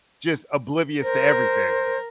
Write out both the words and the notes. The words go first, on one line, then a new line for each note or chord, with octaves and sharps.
just oblivious to everything.
A#4 C5